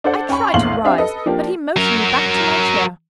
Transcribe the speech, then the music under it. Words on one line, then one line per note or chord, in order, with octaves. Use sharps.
I tried to rise, but he motioned me back to my chair.
D4 A4 C5 D5 F#5
C#4 G5 G#5 B5 C#6
A#1 E2 A2 F5 C6 F#7
C4 D4 G4 E5 F5
A4 B4 D#5
F3 A#3 D4 G4
F#3 A#4